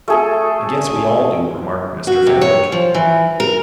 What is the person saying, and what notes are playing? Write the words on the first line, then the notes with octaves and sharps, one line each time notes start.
"I guess we all do," remarked Mr. Fenwick.
A3 G#4 A4
F#4
C3
C#5
F3
E3
A#4